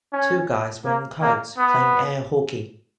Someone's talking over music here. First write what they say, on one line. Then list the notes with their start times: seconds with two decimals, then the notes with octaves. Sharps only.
Two guys wearing coats playing air hockey.
0.13 C#4
0.85 A#3
1.22 A#3
1.58 B3